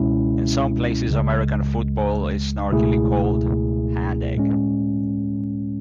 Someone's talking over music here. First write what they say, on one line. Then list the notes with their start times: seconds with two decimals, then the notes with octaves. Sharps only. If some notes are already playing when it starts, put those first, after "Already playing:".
In some places, American football is snarkily called hand-egg.
Already playing: C#2 B2 G#3 C#4 E4
1.08 C#2 C#3 G#3
2.72 C#2 B2 A3 E4 G#4
4.35 A2 G#3 C#4